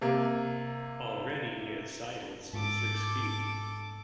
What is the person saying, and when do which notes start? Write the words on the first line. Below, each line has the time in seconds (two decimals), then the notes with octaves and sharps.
Already he had sidled some six feet.
0.01 C3 A#3
2.53 G#2 A4 D6